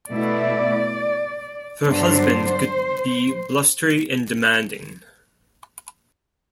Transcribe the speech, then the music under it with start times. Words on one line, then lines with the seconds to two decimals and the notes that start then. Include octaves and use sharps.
Her husband could be blustery and demanding.
0.10 B2 A3 E4 D5
1.85 G2 D3 F#3 B3 D4 C5